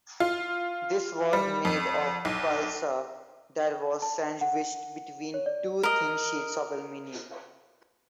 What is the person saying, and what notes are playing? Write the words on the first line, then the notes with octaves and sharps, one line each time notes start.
This was made of balsa that was sandwiched between two thin sheets of aluminum.
F4
G3
F2
B1
A5
F#5
C#5
D5
A#4 D#5